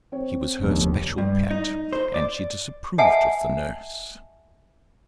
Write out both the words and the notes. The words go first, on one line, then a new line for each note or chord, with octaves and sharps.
He was her special pet, and she disapproved of the nurse.
C4 C#5
F1 D#2 B2 D3
G2
D#4
C5
D5
D#5 E5 F#5 G#5 A5